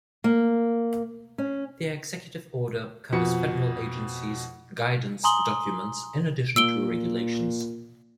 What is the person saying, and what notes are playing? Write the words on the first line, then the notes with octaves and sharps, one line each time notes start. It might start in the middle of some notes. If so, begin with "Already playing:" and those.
The Executive Order covers federal agencies' "guidance documents", in addition to regulations.
A#3
C#4
F2 B2 C#7
G#5 A#5 C6 D#6 F#7 G7
A#2 E6 D7 G7